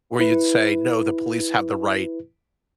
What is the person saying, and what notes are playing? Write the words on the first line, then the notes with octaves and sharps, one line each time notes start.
where you'd say, "No, the police have the right
E4 B4